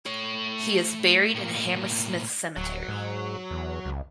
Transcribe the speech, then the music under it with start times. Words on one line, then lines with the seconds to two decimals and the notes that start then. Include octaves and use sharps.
He is buried in Hammersmith Cemetery.
0.06 A3 C#5
1.34 A2 A#3
2.56 D1 F#3
2.88 G#2
3.51 E2
3.85 C#2